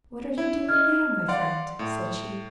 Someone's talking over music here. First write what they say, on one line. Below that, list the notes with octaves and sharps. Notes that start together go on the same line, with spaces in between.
"What are you doing there, my friend?" said she.
E4
D#5 F6 G#6
D5 F5 F#5 C6
A2